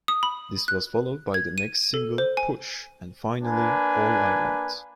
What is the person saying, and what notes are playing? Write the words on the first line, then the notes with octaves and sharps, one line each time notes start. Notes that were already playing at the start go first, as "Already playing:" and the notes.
This was followed by the next single "Push" and finally "All I Want".
D#6
B5
F#6
G#6
D#7
A4
C5
G#5
A#3 D4 B4 G#5